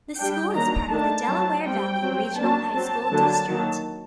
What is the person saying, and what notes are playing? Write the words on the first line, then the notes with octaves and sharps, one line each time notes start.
The school is part of the Delaware Valley Regional High School District.
G3 D4 G5
D#3 F#3 A#3 D4 A#5
D#3 A3 D4 A5
F#3 C4
G3 C4 G5
F#3 C4
F#3 A#3 D4 A5
F#3 C4 A5
D3 F#3 A#3 D4
D#3 F#3 A#3